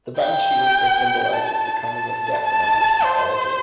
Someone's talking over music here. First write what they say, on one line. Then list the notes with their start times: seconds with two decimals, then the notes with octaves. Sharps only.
The Banshee also symbolizes the coming of death in Irish Mythology.
0.20 G5
1.33 A5
1.90 A5
2.47 A5
3.04 C5